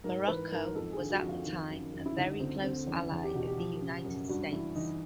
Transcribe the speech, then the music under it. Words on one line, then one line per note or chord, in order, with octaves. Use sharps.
Morocco was at the time a very close ally of the United States.
G#2 A#4
E3 B4
G#2 A#4
F2 A4
G#4
D3
F#4
F2
F4
D#3
F#2
F#2
E4
D2 D#4
D2 C4
D3 C4
E2 C#4
E2
G4
B2 F#4
G4
F3
C#3
F#2
G2 F#4
E3 E4
E3 D#4